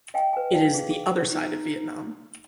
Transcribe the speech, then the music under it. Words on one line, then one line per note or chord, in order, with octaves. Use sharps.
It is the other side of Vietnam.
D#5 F5 G5 G#5
B4 G#5
D5 F5 G5 A5
G#4 F5
G#4
D#4